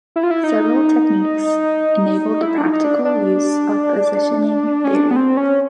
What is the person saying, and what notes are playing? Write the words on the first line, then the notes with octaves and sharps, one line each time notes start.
Several techniques enabled the practical use of positioning theory.
E4
F4
E4
D#4
E4
D4
D#4
D#4
D4
D4
C#4
D4
B3
C4
C#4